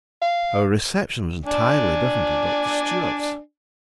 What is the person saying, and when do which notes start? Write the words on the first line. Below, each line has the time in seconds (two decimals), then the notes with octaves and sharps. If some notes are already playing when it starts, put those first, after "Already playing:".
Our reception was entirely different at Doctor Stewart's.
0.22 F5
1.46 D4 D5 G#5